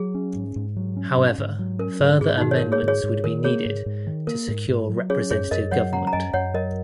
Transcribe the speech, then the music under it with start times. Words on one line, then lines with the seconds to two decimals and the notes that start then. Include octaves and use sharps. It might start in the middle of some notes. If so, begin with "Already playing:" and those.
However, further amendments would be needed to secure representative government.
Already playing: F#3 G#4
0.15 C#4
0.35 G#2
0.56 G#2
0.76 F#3
0.97 C#4
1.17 G#2
1.38 G#2
1.59 F#3
1.79 C#4 A#4
2.00 G#2
2.21 G#2 G#4
2.38 D#4
2.41 D#3 F#4
2.51 C#5
2.56 A#4
2.62 A#3
2.72 G#4 C#5
2.83 G#2
2.88 G#4 C#5
3.03 G#2
3.24 D#3 A#4
3.44 A#3 G#4 C#5
3.65 G#2
3.86 G#2
4.07 D#3
4.27 A#3 A#4
4.48 G#2
4.69 G#2
4.89 F#3
5.10 C#4 G#4 C#5
5.31 F#2 G#4 C#5
5.51 F#2 A#4 D#5
5.71 F#3 C#5 F#5
5.92 C#4 F#5 A#5
6.07 A#5
6.13 F#2 D#5 G#5
6.34 F#2 C#5 F#5
6.54 F#3 A#4 D#5